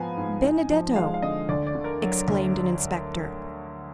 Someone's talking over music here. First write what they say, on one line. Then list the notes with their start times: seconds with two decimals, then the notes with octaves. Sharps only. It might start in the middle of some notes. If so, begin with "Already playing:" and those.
"Benedetto!" exclaimed an inspector.
Already playing: G#2 F3 B3 F5 G#5 A#5 B5
0.17 G#2
0.43 D#4
0.70 F3
0.96 G#3 F5
1.14 F5
1.22 D3 D#5
1.49 D2 D5
1.67 D5
1.75 D3
1.84 A#4
2.02 F#3
2.28 D2